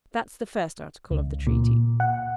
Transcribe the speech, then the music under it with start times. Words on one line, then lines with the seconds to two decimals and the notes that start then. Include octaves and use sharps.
That's the first article of the treaty.
1.11 C#2
1.47 A#2
2.00 F#5